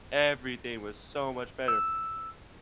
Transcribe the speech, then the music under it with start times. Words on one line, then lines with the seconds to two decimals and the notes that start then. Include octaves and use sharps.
Everything was so much better,"
1.68 E6